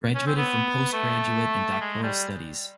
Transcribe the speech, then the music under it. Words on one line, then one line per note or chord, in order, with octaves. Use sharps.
Graduated from postgraduate and doctoral studies.
C#4
C4
B3
A3
G#3
G3